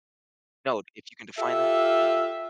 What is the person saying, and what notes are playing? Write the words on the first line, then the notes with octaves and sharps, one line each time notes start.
No, if you can define that Yeah.
F4 G4 A4 E5